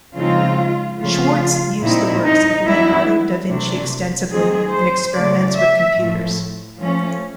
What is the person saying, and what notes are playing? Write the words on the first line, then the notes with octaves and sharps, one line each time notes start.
Schwartz used the works of Leonardo da Vinci extensively in experiments with computers.
C#3 F3 G#3 C4 D#4 F4
C#3 F3 A3 F4
A#2 G3 C4 D#4 E4
D#4
E3 G3 B3 D4 E4
C3 E3 A3 D4
D#3 F#3 A3 C4 D#4 G#4
C5
C#3 E3 A3 C#4 D5
E5
A2 F3 A3
F3 A3 C#4